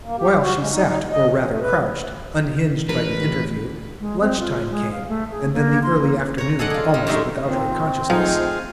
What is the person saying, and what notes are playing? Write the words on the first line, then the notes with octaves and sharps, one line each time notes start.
While she sat, or rather crouched, unhinged by the interview, lunch-time came, and then the early afternoon, almost without her consciousness.
A#3
G4
F#4
G#3
D#4
D#4
D#2
D#5
E2
A3
B4
A1 E3 A#4 B4
G#3
C4
F4
G#3
F5
A3
G#4
A#3
C6
A#3
C#5 A#5
G#4 A4 D5 D#5 F#5
F4 G#4
G2 G3
F#2 A2 D#4 A#4 E5 C6
A#2 D#3 C4
F3 A3 D#4 F4 G#4